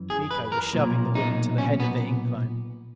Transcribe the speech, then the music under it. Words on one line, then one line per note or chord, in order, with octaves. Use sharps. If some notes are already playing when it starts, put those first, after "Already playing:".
Miko was shoving the women to the head of the incline.
Already playing: F#2 E3
G#4
B4
A#4
B1 A#2
D#4
C#4
B3